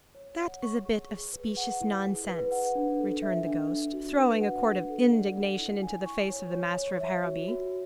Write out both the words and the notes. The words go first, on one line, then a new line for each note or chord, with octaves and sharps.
"That is a bit of specious nonsense," returned the ghost, throwing a quart of indignation into the face of the master of Harrowby.
C#5
F#5
C#6
G#4
G#4
B4
F#5
E4
G#4
B4
F#5
D4
A4
E5
D4
D4
F#4
B4
F#5
D4
A4
D5
F#5
E4
G#5
C#6
C#5
C#5
C#5
E5
F#4
F#4